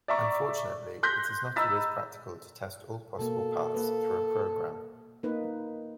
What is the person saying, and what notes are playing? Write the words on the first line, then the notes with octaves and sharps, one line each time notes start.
Unfortunately, it is not always practical to test all possible paths through a program.
D5 E5 A#5 C#6
C6 F#6 G6 A#6 B6
D#5 A#5 B5 E6 A6 B6
B2 A#3 A4
A#3 B4
A#3 D#4 B4